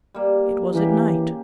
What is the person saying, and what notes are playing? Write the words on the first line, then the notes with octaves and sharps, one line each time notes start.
It was at night.
G3 A#3
C#3 E3 A#3 G4